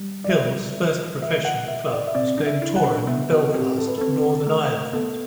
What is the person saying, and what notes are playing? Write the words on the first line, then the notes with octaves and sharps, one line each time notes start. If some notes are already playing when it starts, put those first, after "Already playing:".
Hill's first professional club was Glentoran in Belfast, Northern Ireland.
Already playing: G3
D5
E5
E5
F#5
E5
D5
E5
C4 D5
D4
E5
E4
F#5
D4
B3 E5
F#4
A4
C4 G4
A4
B4
C4 A4
A3
B3 A4